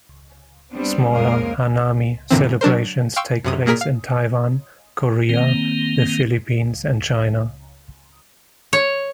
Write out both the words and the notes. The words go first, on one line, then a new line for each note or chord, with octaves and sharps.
Smaller "hanami" celebrations take place in Taiwan, Korea, the Philippines, and China.
G3 B3 C4 D4
F2 C#3 G#3 A#3 A#4 F5
F#2 A#2 D3 E3 C4
F#3 D4 A#4 C5
F5 G5 C6 C#6 E6
F#2 C3 D#6
A#2 A#3 G#4 A#4 B6
F5
D#3 A#3 C4
C#5